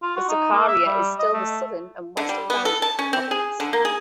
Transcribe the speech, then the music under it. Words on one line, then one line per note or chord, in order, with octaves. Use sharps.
The Sakarya is still the southern and western boundary of the province.
F4
F#4
D#4
A#3
E5
G3
D#5
A3
D3
G3
B3
A4
A5
C#4
C4
G#4
D3
A#3
G#4